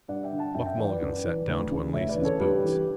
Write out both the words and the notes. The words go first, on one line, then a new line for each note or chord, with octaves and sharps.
Buck Mulligan sat down to unlace his boots.
G2 D5 F#5
E5 G5
D3
F#5 A5
F#2 E5 G5
E5 G5
E3 D5 F#5
B4 D5
F#2
E3
D2
C#3 E3
D2 C#5 E5
B4 D5
E3
C#3 A4 C#5
G2 G4 B4
E3